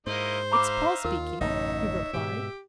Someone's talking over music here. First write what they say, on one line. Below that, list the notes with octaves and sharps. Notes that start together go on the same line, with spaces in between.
"It's Paul speaking," he replied.
G#2 A#3 E4 C5 D#5
D#4 E5 F5 A#5 B5 D6
D#2 F4 A#4
A1 F#2 C#3 D#4 C#5 E5
G#2 B2 G4